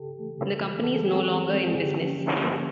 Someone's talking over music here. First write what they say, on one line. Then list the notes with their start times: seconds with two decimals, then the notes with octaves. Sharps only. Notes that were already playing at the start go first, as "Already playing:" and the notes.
The company is no longer in business.
Already playing: C#3 G4 A4
0.16 E3 A3
0.38 C#3
0.61 E3 A3
0.84 E3 A4
0.94 G#4
1.06 G#3 C4 G4
1.16 G#4
1.29 E3
1.52 G#3 C4
1.63 G#4
1.74 D3 G4
1.96 F3 A#3 C#4
2.19 D3
2.43 F3 A#3 C#4